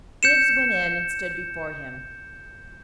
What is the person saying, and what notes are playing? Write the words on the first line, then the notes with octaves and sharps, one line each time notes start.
Bibbs went in and stood before him.
G6 C#7 E7